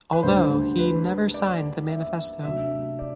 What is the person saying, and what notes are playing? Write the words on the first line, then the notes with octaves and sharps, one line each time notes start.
Although he never signed the manifesto.
B4
D2 D3 G3 D4 C5
B4
D5
E5
C3 F#3 A3 D4 E5
D5